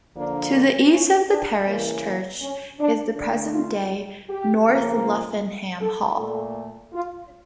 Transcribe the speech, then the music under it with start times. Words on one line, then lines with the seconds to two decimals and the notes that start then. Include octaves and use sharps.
To the east of the parish church is the present day North Luffenham Hall.
0.15 D3 F3 A#3 D4
0.53 A#3
0.91 C#4
1.29 D4
1.66 C#3 E3 A#3 C#4
2.04 A#3
2.41 C#4
2.79 D4
3.17 D3 A3 D4
3.54 F4
4.29 G4
4.67 C#3 F3 A#3
5.05 F4
5.80 A4
6.18 A#2 A3 A4
6.92 F4